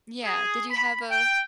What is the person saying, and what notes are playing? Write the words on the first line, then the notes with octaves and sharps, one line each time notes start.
yeah. Did you have a
G#4
B5
G5